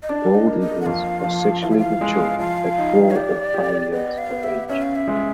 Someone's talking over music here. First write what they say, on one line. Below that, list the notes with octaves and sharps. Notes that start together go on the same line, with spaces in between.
Bald eagles are sexually mature at four or five years of age.
D#5
D4 D5
D#5
A#3
D#5
F#5
F2 F5
F3
E3 F5
E5
F5
G#3
F3 F5
D#4
C#5
G4 D5
G4
B3 D#5
F5
B3
E5
C#4 E5
F5
E5
G#3